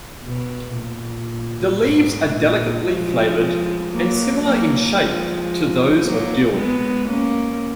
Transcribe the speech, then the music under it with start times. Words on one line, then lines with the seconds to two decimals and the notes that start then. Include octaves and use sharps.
The leaves are delicately flavored and similar in shape to those of dill.
0.25 B2
0.77 A#2
1.83 G#2
2.35 A#2
2.88 F3 G#3
3.93 F#3 A#3
4.45 F#3 A#3
4.98 F3 G#3
6.03 F#3 A#3
6.56 G#3 B3
7.09 A#3 C#4